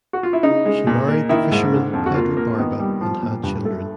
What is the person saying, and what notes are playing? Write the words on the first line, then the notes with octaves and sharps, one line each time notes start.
She married the fisherman Pedro Barba and had children.
F#4
F4
E4
C#3 D#4
G#3
A#2
A#3
D#3 E4
G#2
D3
F2
F#4
A#3 F4
A#3
D#3 B3
G3
F3
A#2
G2
A3